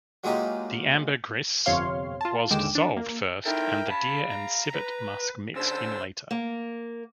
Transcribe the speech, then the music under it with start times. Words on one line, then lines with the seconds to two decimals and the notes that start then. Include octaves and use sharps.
The ambergris was dissolved first and the deer and civet musk mixed in later.
0.24 F#3 G#3 A#3 D#4 F4 G4
1.66 G1 F2 C3 C#5 F5 C6
2.21 F4 A5
2.50 D#2 D3 G#3 G5 D6 E7
2.75 D4
2.97 A#3
3.46 D#4 E4 A4 A#4 G5
3.88 F5 A5 B5
4.30 A#5
4.75 B4
5.56 C#3 D4 C5 E6
6.31 A#3